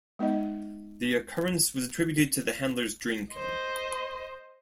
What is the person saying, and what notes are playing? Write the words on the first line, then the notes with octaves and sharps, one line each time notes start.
The occurrence was attributed to the handler's drinking.
G#3 B3 D#4 D#5
C5 D#5